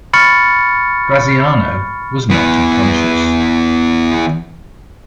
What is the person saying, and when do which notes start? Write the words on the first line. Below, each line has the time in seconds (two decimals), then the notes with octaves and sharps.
Graziano was knocked unconscious.
0.13 B5 C#6 F6 A6 C#7
2.30 E3 B3